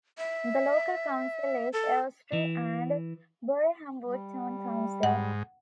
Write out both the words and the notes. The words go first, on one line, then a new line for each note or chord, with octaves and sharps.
The local council is Elstree and Borehamwood Town Council.
E5
A4
E3
G3
G#2 F#5